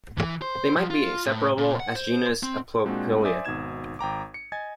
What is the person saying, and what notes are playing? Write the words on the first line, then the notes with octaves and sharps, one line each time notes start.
They might be separable as genus Aplopelia.
E3
C5
F3
F4
A2
A#2
F#5
C5
C4
A#2 G#3 C4 D4 F#4
C5 D5 E5 G#5 D6 D#6
G#1 B2 D#4 G#6 E7
G#1 G5 A#5 D6
C#7
D#5 G#5 G#6 A6